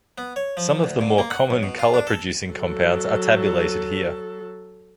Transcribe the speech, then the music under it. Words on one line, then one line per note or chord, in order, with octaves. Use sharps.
Some of the more common color-producing compounds are tabulated here.
B3
C#5
F3
D2
A#2
A#3
F#5
B1
B2
F4
D4
A4
F#3 A4